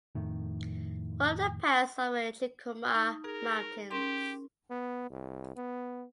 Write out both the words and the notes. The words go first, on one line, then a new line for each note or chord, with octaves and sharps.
One of the pass over the Chikuma mountains.
F2 A2 D#3
D#4
G#4 A#4
C#4 G4 A#4 C6
B3
C2
B3